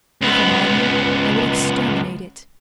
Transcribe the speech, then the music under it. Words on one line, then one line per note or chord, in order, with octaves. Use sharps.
If an army, I would exterminate it.
C#2 B3